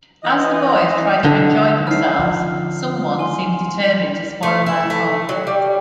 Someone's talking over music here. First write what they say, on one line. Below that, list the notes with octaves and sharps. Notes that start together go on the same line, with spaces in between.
As the boys try to enjoy themselves, someone seems determined to spoil their fun.
E3 D#5
D3
F#5
C#4 D#4 B4 F6 C7
D3 F3
G#5 C6
A3
E4
A3
F#3
G3